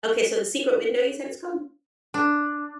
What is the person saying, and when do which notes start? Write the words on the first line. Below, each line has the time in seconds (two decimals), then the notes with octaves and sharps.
Okay, so The Secret Window, you said it's called?
2.14 D4